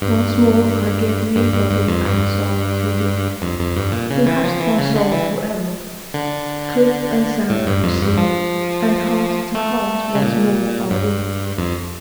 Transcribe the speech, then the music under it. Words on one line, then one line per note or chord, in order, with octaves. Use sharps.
Once more I give me body and soul to thee, Who hast my soul for ever: cliff and sand Recede, and heart to heart once more are we.
G2
G2
G2
G2
F2
G2
F2
F2
G2
A#2
C#3
E3
F3
E3
C#3
D3
E3
D3
A2
G2
F2
G2
F3
A3
C#3
A#2
G2
F2